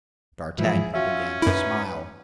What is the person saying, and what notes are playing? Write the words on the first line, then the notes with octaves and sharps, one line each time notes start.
D'Artagnan began to smile.
G#2 E3 F3 E4 G#4
C#4 F4 F#4 E5
F#2 D#4 E4 B4